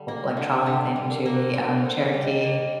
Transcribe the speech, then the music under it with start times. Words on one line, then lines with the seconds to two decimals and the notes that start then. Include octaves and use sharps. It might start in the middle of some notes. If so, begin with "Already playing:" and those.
like, trolley thing to the, um, Cherokee,
Already playing: D3 G3
0.08 A#3
0.37 D3
0.66 D3 G5
0.89 D5
0.96 G3
1.11 A#4
1.26 A#3
1.33 C5
1.55 D3 A#4
1.77 C5
1.85 D3
1.99 D5
2.14 G3
2.22 D#5
2.43 A#3 D#5